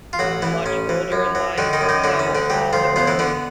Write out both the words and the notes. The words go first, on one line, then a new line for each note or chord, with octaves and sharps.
much older in life, so all their
F4
A1 F#3 F#4
A1 E3 E4
A1 C#4
E3
F#2
F#3
D3 D#3 D4
D#3 D#4
F#2
D#3 D#4
D3 F#3 D4
C#4
D2
D3 D4
F#3 G3 G4
D2 F3 F4
F3 B3 F4
E3 E4
D3 B3 D4